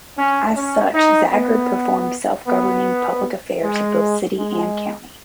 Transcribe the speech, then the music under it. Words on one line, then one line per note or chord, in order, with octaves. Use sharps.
As such, Zagreb performs self-governing public affairs of both city and county.
C#4
C#4
D#4
B3
B3
G#3
G#3